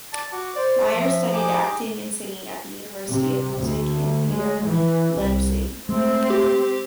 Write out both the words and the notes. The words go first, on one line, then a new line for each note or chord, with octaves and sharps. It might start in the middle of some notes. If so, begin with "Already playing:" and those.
Meyer studied acting and singing at the University of Music and Theatre Leipzig.
D5 A5
F#4 D6
C5 D5
F3 E5
D#4 G4 G#4 D6
C3
D2
G#3
E3
C2
G#3 A3 C4
G4